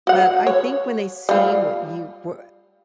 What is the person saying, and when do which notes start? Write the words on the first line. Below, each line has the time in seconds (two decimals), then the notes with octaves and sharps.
But I think when they see what you we
0.07 F#4 F#5
0.47 C#5
1.29 G3 F4